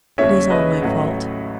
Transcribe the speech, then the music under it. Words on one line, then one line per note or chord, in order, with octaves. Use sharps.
It is all my fault.
D#2 C#3 G#3 C#4 C#5 E5
B4 D#5
A1 A2 F#3